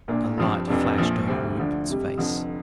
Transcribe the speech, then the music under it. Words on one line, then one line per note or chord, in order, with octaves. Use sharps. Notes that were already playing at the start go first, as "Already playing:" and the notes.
A light flashed over Rupert's face.
A#1 A#2 A#3 D4
G2 F3 C4
F1 F2 C3 G3 D4
A#1 A#2 F3
D2 C3 G3 C4
D2 D3 F3 D4
F2 C3 G3
F1 F2 D3 F3